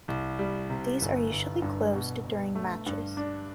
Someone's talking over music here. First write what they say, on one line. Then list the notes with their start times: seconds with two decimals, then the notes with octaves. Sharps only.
These are usually closed during matches.
0.08 C2
0.39 G3
0.70 C3
1.01 G1
1.31 G1
1.62 G2
1.93 B2
2.25 B2
2.55 A3
2.86 G2
3.17 D4